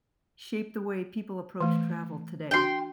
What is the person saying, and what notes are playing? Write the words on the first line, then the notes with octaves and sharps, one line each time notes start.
shape the way people approach travel today?
E3 A3
D4 F#4 G5 C6